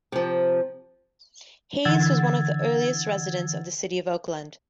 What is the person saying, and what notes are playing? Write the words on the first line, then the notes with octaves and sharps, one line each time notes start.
Hays was one of the earliest residents of the city of Oakland.
C3 F3
D3 E3 F#5 E6 G#6 A6